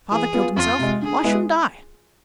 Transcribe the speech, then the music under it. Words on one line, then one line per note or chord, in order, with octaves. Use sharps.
Father killed himself--why shouldn't I?
E3 G#4
B3 F4
F2 F4
C3 G#3
D3 G#4
G#3 B3 E4 B4